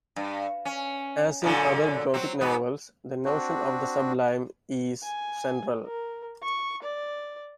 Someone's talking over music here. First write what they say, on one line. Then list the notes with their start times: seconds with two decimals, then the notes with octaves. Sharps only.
As in other Gothic novels, the notion of the sublime is central.
0.16 G2
0.65 C#4
1.42 F#2 A#2 D3
2.14 F#3 C4
2.41 G#2 B2 B3
3.25 C4 D4 F#4
5.03 G#5
5.85 A#4
6.43 C#6
6.83 D5